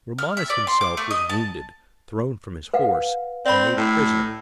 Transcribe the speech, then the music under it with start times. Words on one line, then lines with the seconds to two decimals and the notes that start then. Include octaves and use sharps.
Romanus himself was wounded, thrown from his horse, and made prisoner.
0.18 F6
0.37 E5
0.50 D5
0.67 C6
0.81 D6
0.97 A3
1.11 D#5
1.29 A5
2.74 B4 F5 F#5
3.46 C4 D5 B5
3.77 A2